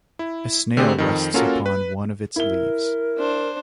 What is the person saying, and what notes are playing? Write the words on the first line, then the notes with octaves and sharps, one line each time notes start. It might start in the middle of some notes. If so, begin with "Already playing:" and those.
A snail rests upon one of its leaves.
E4
D3 A3 C4 G4 G#4
F2 D#3
A#3 C#4 F4 F#4 A4 A#4
B4
E4 A#4 G7
D4 C5